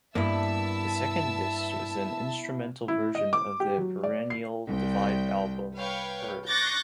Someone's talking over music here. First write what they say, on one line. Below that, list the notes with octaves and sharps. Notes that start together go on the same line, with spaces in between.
The second disc was an instrumental version of the Perennial Divide album, "Purge".
G2 A#3 B3 E4 E5 A5 E6
E4
D#5
D6
G4
F#3
D5
C7
C2 G5
B4 C#5 F5 G5
C#6 D6 F#6 G6 A6 A#6